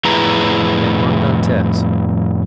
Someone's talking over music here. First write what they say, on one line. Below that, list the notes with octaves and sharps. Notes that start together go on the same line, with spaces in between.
Edmond Dantes.
F2 A2 E4 G#4 B4 A#5